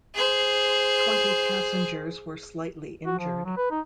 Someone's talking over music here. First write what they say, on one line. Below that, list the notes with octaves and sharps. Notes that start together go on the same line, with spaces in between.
Twenty passengers were slightly injured.
G#4 C5
F#4
F3
F#3
B4
D#4